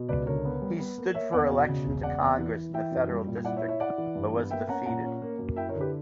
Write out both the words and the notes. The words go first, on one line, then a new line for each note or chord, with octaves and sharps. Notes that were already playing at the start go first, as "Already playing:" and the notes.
He stood for election to Congress in the Federal District but was defeated.
Already playing: B2
C#2 B4 D5
D3 A#4 C#5
B3
G3
B3
A#3
A#3 C#5 E5
E2 D5 F#5
B2
C#3
E1
C#3 D5 F#5
E2
E3
E3
E3 E5 G5
F#2
G3
A#2
E4 D5 F#5
C#5 E5
E4
C#5 E5
E4 D5 F#5
E3
G2
B3
A#3 E5 G5
C#4 F#5 A#5
A#2 F#5 A#5
C#4
A#3
F#2
E4 E5 G5
A#4 C#5
D3
G4 B4